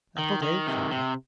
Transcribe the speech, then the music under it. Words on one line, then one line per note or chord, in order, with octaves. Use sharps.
"That'll do," said Pratt.
D#3
D#3
C3
C3